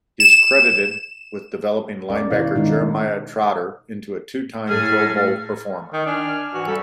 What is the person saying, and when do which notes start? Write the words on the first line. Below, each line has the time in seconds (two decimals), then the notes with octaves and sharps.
He is credited with developing linebacker Jeremiah Trotter into a two-time Pro Bowl performer.
0.20 E7
2.10 G3 B3 C#4 A#4 D5
2.30 B2 D#3 E4 C#5 D5 F5
2.55 D#3 G#3 D4 D#4
4.67 A2 G#4 A4 F6
5.93 D#3
6.06 D4 G#5 F6
6.54 G#2 E3 F#4
6.68 F#2 G3 A4